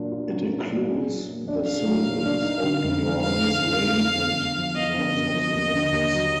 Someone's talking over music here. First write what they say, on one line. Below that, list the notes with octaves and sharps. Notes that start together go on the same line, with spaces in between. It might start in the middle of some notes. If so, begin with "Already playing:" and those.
It includes the singles "Open Your Eyes", "Rain" and "Lords of the Boards".
Already playing: A#2 F#3 D4 F4
F4
F#3
A#2
D4
G#4
F#3
A#2
D4
G#4 F5
F#3
A#2
D4
D#4
D3
F2
G#3
D#4 F5
D3
F2
G#3
B3
D3
F#2
F3
B3 D#5
D3
F#2
F3
D#2
D3
D#2
F#3